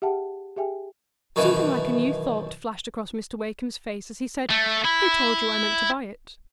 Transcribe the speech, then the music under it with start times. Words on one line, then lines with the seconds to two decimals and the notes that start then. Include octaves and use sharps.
Something like a new thought flashed across Mr. Wakem's face as he said, "Who told you I meant to buy it?"
0.02 G4 G#4 E5 F#5 G5 A5
0.57 G4 G#4 E5 G5 G#5
1.36 F#2 B2 D#3 E3
4.50 A3
4.84 E4